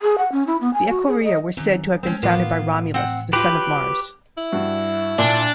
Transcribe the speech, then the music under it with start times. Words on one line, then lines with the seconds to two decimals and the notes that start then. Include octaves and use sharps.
The Equirria were said to have been founded by Romulus, the son of Mars.
0.02 G#4
0.18 F#5
0.32 C#4
0.47 E4
0.61 B3
0.74 G#5
0.89 F#4
1.07 G#4
1.23 D#5
1.57 F#2 D#3 C4
2.03 G#3 A3 C4 C#4
2.23 A2 E3 F3 A#3 B3 F4
2.94 C4 F#5
3.33 F#3 F4 G4 B4
4.37 E4
4.52 G2 F#4
5.19 A#2 D4